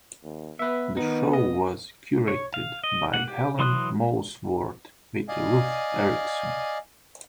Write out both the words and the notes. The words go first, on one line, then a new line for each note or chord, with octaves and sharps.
The show was curated by Helen Molesworth with Ruth Erickson.
D#2
B3 B4 E5
D#3 B3 D#4
D#5
C#5
F5
D#5
A#3 F#5
G4
E3 F#3 C6 D#6 F#6
D5 D#5 F5 G#5